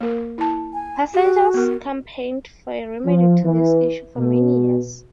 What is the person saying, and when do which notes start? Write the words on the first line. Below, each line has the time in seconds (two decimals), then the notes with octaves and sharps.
Passengers campaigned for a remedy to this issue for many years.
0.01 A#3 A#4
0.38 E4 A5
0.73 G#5
1.14 F#4 G4
1.54 B3 A#4
3.06 F3
3.44 E3
4.17 B2